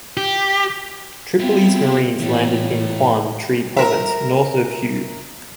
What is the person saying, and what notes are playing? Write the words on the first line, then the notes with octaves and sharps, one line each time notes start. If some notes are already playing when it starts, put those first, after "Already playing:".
"Tripoli"'s Marines landed in Quang Tri province, north of Hue.
G4
B3 C4 E4 F4
A2 E3 A3
A#4 E5